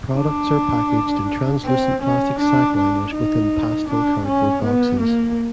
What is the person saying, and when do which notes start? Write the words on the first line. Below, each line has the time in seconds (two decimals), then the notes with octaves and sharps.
Products are packaged in translucent plastic sack liners within pastel cardboard boxes.
0.16 D4
1.66 C4
2.03 C#4
2.39 D4
2.77 D4
3.14 D#4
3.89 D4
4.26 C#4
4.63 B3
5.00 A#3